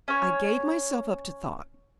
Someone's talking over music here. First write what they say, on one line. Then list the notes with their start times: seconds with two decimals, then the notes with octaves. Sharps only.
I gave myself up to thought.
0.08 C#4 C#5